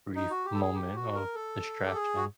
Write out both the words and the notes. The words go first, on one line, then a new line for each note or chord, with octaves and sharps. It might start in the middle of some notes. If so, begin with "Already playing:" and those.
brief moment of distraction.
D#4
F#4
G4
A4
G#4
G4
F#4
A#4
A4
G4
G#4
F#4